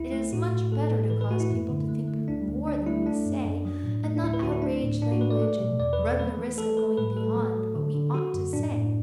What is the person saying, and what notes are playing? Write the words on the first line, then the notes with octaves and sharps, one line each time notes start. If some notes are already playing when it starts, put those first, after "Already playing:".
It is much better to cause people to think more than we say, and not outrage language, and run the risk of going beyond what we ought to say.
Already playing: D2 E4
A3
A2 F#4
A2
A3 A4
A2
E3 B4
B4
A3 F#4
E4
F#2
D3
A3
A3
D2 D4
D2
D2 D4
A3 E4
A3 D4
F#2
F#2
F#3
A2
A3
D4
D2 E4
B4
D2 F#4
E4
A3 D4
A2
A2 D4
F#4
A3 B4
D5
A3
B2
E2 D5
B4
F#3
A3 B4
E3
A3 A4
A3 B4
A2 B4
A3 A4
F#3
F#3
D3
D3
F#3 F#4
F#2
A2 D4
A2